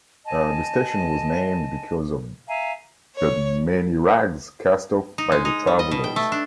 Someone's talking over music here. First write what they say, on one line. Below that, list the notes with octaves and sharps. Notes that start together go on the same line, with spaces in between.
The station was named because of the many rags cast off by the travelers.
D#5 G#5 A5
E5 F5 G#5 A#5
C#5
D#4
G#3
D#4
G3
D#5
B2
G5
A3
D4